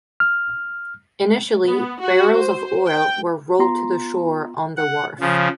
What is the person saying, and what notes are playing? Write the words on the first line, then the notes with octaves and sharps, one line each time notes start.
Initially barrels of oil were rolled to shore on the wharf.
F6
B3
F#4
C5
G5
B3 F4 A#5 C6
F#5
C#3 F3